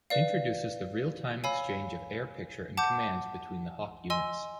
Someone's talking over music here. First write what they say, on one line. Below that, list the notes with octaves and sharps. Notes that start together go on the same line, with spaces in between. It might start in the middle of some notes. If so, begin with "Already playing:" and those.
Introduces the real-time exchange of air picture and commands between the Hawk units.
B4 D5 F5
C#5 F5 G#5 B5 E6
F#5 A5 D6 G6
D#5 G#5 C6 E6